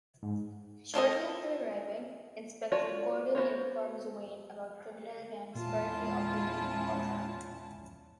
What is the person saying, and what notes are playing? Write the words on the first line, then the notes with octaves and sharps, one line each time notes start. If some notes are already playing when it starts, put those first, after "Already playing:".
Shortly after arriving, Inspector Gordon informs Wayne about criminal gangs currently operating in Gotham.
G#2
F4 A4 A#4 D#5
F4 F#4 C#5 D5 A5
B3 F#4 C5 C#5
E2 A#2 G#3 C#4 E4 F4 A5